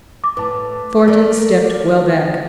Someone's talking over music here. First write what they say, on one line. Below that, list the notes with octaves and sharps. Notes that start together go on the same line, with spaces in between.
Thornton stepped well back.
D6
A2 B4 A5
A3 A#4 D5